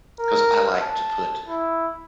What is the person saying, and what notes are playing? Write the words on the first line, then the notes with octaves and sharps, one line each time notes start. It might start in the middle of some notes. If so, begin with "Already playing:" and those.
'cause I like to put,
A#4
A5
E4